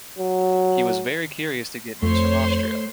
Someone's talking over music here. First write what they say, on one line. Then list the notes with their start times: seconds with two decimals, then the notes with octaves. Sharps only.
He was very curious to get news from Austria.
0.19 F#3
2.02 F2 A3 C5 C#5 C6